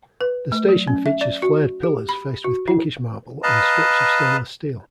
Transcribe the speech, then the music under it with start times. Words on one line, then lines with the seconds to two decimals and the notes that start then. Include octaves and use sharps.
The station features flared pillars faced with pinkish marble and strips of stainless steel.
0.21 B4
0.52 A3
0.69 F#3
0.87 C#4
1.06 E5
1.21 D5
1.42 F#4
1.83 G4
2.09 B5
2.44 F#4
2.68 E4
3.43 B4 D#5 F5 A5 A#5